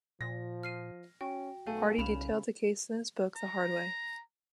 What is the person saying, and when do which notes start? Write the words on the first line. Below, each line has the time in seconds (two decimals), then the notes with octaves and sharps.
Hardy detailed the case in his book "The Hard Way".
0.21 A#2 F3 A#6
0.63 F6 C7 D#7
1.21 C#4 F#4 G5
1.67 B1 A3 F5 G#5
1.98 C2 C#3 B5 E7 F7
3.36 A#5